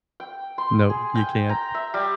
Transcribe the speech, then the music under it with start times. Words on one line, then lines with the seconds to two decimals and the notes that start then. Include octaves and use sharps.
No, you can't.
0.20 G5
0.58 C6
0.90 G#4
1.15 G5
1.49 A#5
1.74 E5
1.94 G3